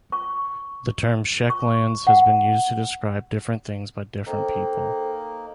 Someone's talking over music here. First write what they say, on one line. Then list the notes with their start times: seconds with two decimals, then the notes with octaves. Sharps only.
The term Czech lands has been used to describe different things by different people.
0.12 C#6
1.50 C#6
2.07 F#5
4.26 A#3 D#4 A4 C5 G5